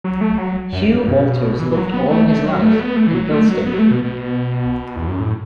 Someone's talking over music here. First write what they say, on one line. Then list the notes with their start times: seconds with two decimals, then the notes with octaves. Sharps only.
Hugh Walters lived all his life in Bilston.
0.04 F#3
0.21 A3
0.38 F#3
0.73 F#2
0.90 F#2
1.08 B2
1.59 E3
1.71 E3
1.77 F#3
1.94 B3
2.07 F#3
2.11 A3
2.28 A3
2.45 F#3
2.62 A3
2.79 B3
2.96 A3
3.07 E3
3.14 F#3
3.31 A3
3.49 F#3
3.66 B3
3.74 F#3
3.79 A3
3.91 B2
4.04 B2
4.96 E2
5.08 F#2
5.20 A2